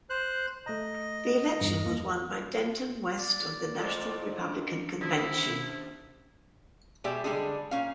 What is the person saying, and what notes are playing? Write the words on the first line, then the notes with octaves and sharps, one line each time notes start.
The election was won by Denton West of the National Republican Convention.
C5 F#6
A3 D#5 A#5
E2 G2
A#3
D5
F2 A#2 A3
C#4 D4
D#2 C3 E4
B2 G#3 G4 D5 E5
D3 G3 G#3 D4 G#4
A#2 C#4 F5